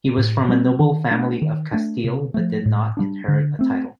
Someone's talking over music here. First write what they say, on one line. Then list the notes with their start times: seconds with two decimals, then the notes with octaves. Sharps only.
He was from a noble family of Castile, but did not inherit a title.
0.18 A2
0.49 G3 C4
0.80 D#3
1.11 A3 D4
1.42 D#3
1.72 A3 D4
2.04 C3
2.34 F3 A3
2.66 A2
2.97 G3 A#3 D4
3.28 D3
3.59 A3 C4